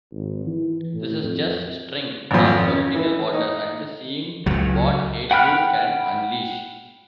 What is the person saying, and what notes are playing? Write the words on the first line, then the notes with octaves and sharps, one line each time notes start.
This is just stirring the political waters and seeing what hate you can unleash.
G#1
E3
A2
F2
G#1 F2
C#4
E3
D#4
C#2 F#3
F#5 G5 B5 F6 F#6